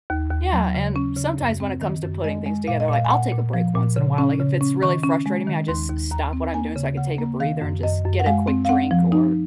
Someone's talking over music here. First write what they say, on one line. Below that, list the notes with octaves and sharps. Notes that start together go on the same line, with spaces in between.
Yeah, and sometimes when it comes to putting things together, like, I'll take a break once in a while. Like, if it's really frustrating me, I just stop what I'm doing so I could take a breather and just get a quick drink or
D#2
D#2
F#3
C#3
C#4
C#3
F#2
C4
D#3
F#2
G#3 D#5
G#3
A#2 F5
D#5
A#2 F5
G#5
A#2 F#5
A#2
F3
A#2
C#3
C#4
C#3
C#4
D#3 C#6
C#4
G#3
D#3
D#2 C6
D#2
D#2 A#5
C4
A#3 G#5
C#3
C#3 F#5
A#3
D#3 F5
F#2
F#2 D#5
F#2
F#5
G#3 F5
C4
F5
C4 F#5
F3
D#4